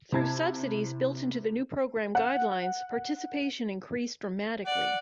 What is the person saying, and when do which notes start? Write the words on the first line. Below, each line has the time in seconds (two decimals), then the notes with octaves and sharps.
Through subsidies built into the new program guidelines, participation increased dramatically.
0.12 C3 E4 A5 G#6
2.15 F#5
4.66 D5 F#5